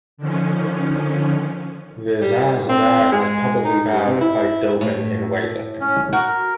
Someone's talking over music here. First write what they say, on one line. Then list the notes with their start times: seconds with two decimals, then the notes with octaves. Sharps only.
Rezazadeh has publicly vowed to fight doping in weightlifting.
0.17 D3 D#3 F3 C#4
2.21 G3
2.55 G2
2.69 C4
3.12 G#3
3.65 D#4
3.91 G2
4.06 C3
4.21 E4
4.81 A2
5.81 C#4
6.13 F#4 A#4